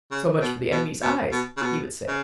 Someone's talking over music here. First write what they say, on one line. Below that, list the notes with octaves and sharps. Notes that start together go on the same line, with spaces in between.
So much for the enemy's eyes, he would say.
C#3
B2
B2
B2
B2
C#3
B2
C#3